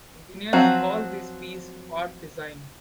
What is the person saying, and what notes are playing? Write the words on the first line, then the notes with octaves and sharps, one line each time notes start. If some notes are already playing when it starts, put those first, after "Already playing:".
Engineers call this piece part design.
F3 F#3 C4 F#4